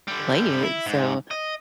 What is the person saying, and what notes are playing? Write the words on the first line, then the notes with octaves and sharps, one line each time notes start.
play it, so
D3 G3
E4
G#2
D#5